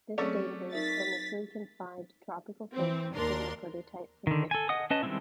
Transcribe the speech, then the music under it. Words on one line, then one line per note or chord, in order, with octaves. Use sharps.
This database, initially confined to tropical fish, became the prototype for FishBase.
F#3 A3 C4 C#4 G#4 D5
D#4 A#4 E5 A6 B6
E3 C4
D#2 D4 A#4 C6
D3 D#3
A4 G#5
D#5 F#5 D#6
C#4 B4 D#5 A5
D#3 G3 G#3 C4 E4